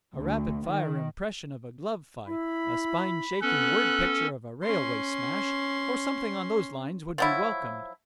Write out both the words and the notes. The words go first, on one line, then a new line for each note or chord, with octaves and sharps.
A rapid-fire impression of a glove fight, a spine-shaking word picture of a railway smash, or something on those lines, would be welcomed.
D2
D#3
E4 B5
B3 C#4 A4 F#6
C#4 C6
F3 F#3 E4